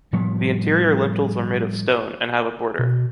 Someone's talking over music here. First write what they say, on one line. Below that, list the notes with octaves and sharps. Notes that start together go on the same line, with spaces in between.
The interior lintels are made of stone, and have a border.
A2 F3 G3 B3
B2